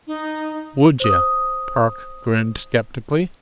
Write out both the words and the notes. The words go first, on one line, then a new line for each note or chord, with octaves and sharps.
"Would yuh?" Park grinned skeptically.
D#4
C5 D#6